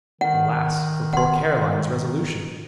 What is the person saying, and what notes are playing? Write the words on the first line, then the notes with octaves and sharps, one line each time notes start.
Alas for poor Caroline's resolution!
D#3 F#5
F#5 C6